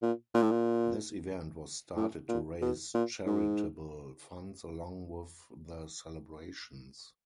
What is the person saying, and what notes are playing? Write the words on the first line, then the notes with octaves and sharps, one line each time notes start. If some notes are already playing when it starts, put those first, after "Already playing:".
This event was started to raise charitable funds along with the celebrations.
A#2
A#2
A2
A#2
A2
A#2
B2
A#2
G#2